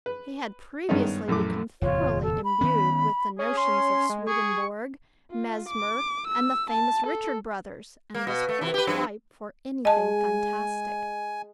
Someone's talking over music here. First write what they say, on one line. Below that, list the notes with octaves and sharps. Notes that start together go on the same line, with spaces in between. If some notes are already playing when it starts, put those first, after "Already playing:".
He had previously become thoroughly imbued with the notions of Swedenborg, Mesmer, and the famous Richard Brothers, and was quite ripe for anything fantastic.
B4
G2 D#3 G#3 B3 C#4 D#4
A#1 F#2 E3 A3 D6
D1 E2 C3 F4 C#5
A4
B5
D#3 B3 C#4
C#4 G#4
C6
G#3
G#4 C#6
F4
D6
E6
A5
A4
A#3
B2
A3
C3 E3
G4 B4
G2 F3 B4
G#3 D#5 G#5 A5